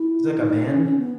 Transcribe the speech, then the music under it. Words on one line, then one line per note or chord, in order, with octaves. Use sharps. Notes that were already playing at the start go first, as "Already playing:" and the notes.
It's, like, a band?
Already playing: E4
D#4
C#4
C#4
B3